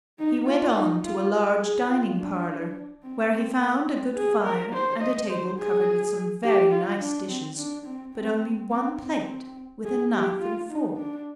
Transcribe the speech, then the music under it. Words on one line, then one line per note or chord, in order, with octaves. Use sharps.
He went on to a large dining-parlour, where he found a good fire, and a table covered with some very nice dishes, but only one plate with a knife and fork.
D#4
F4
D#4
F4
G#4
F4
D4
C4
C4
A#3
C4
G#4
A#4
C5
D#5
C5
G#4
G4
F4
D4
C4
D4
C4
C4
C4
C4
G#4
G4
F4
D#4
D4